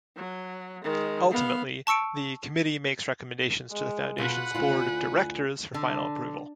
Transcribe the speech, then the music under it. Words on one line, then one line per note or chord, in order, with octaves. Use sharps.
Ultimately, the Committee makes recommendations to the Foundation's Board of Directors for final approval.
F#3
D#3 G#3
B3 F5
A5 C#6 E6 C#7 D7
G#3
B2 F4 B4 F#5
D2 E4 F4 G#5
D3